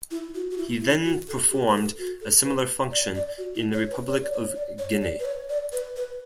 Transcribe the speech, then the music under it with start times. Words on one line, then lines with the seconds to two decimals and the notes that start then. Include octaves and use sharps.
He then performed a similar function in the Republic of Guinea.
0.11 E4
0.35 F#4
0.50 F#4
0.58 E4
0.81 E4
1.04 F#4
1.28 A4
1.51 G4
1.69 B4
1.75 A4
1.98 F#4
2.21 A4
2.45 B4
2.91 D5
3.15 D5
3.38 F#4
3.55 E4
3.73 C#5
3.91 B4
4.08 C#5
4.23 D5
4.32 C#5
4.55 D5
4.79 C#5
5.02 D5
5.20 B4
5.25 C#5
5.50 D5
5.72 B4
5.96 B4